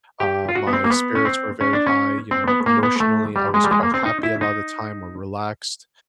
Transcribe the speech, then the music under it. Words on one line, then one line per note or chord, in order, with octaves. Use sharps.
uh, my spirits were very high, you know, emotionally, I was quite happy a lot of the time or relaxed,
G4
F4
F#4
B3
C4
A#3
B3
C#4
C4
C#4
D4
C#4
C4
B3
A#3
B3
A3
G3
G#3
G3
G#3
A#3
C4
D#4
E4
D#4